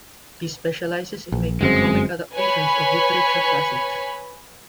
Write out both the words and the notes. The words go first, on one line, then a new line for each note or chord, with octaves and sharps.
He specializes in making comic adaptations of literature classics.
A#1
G1 F#2 G#3 C4
B4 C#5 G#5 B5